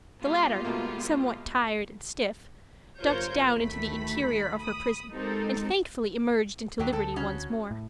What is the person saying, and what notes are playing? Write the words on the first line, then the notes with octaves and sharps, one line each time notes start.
The latter, somewhat tired and stiff, ducked down into the interior of her prison and thankfully emerged into liberty once more.
G#3 B3 F4 G4
B2 A3 A#3
G1 F4 A#4 C5 C#5 G6
D2 D#3 A3 B5 B6
B5 D#6
G#3 C4 D#4 G4 A4 A#4
D#2 F#3 F#4 G4
D2 C4 A4
C#3 C#4 F#4
A2